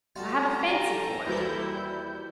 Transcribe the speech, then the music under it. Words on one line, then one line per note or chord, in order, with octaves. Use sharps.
I have a fancy for it.
G3 F4 F#4 A4 A#5
G4 D5 G#5
D#2 E3 G3 E4 F#4 C5 G6